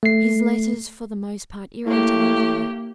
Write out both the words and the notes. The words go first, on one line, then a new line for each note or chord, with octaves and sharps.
His letters for the most part irritated her.
A3 C7
A2 A#3 G4